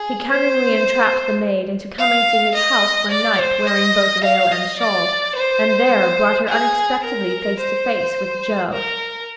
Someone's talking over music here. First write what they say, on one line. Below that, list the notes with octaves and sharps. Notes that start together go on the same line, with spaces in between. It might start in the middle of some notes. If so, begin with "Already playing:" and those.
He cunningly entrapped the maid into coming to his house one night wearing both veil and shawl, and there brought her unexpectedly face to face with Joe.
Already playing: G#4
C5
F5
D#5
D5
C5
D#5
F5
D#5
D5
C5
G#4
A#4
C5
A#4